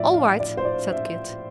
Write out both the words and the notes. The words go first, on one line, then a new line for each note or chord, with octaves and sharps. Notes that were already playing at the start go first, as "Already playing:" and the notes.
"All right," said Kit.
Already playing: A2 F3 D5 E5
F5
D5
C5
D5
E5